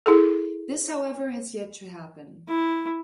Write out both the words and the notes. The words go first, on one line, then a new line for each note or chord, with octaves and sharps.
This however has yet to happen.
E4 G#4 A4
E4